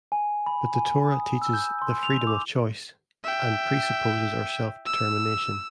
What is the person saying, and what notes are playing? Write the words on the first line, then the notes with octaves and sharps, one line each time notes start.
But the Torah teaches the freedom of choice and presupposes our self-determination.
G#5
B5
G#5
D#6
E6
G6
C6
F7
D6
E5 G5
E6